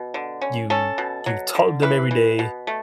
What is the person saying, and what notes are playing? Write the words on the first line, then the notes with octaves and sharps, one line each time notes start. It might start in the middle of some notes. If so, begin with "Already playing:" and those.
"You You talk to them every day,
Already playing: B2
D3
C#4
C#4 A4
B2
F#3
D3
E3 B4
E3
B2
A3